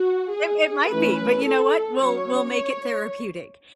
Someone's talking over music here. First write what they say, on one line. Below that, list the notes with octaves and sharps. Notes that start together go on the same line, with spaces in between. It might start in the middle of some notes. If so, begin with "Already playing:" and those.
It it might be, but you know what, we'll we'll make it therapeutic,
Already playing: F#4
G#4
E3 A3 C#4 B4
A4
F#3 C#4 C#5